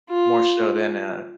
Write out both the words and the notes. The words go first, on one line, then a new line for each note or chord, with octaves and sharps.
more so than, uh,
F4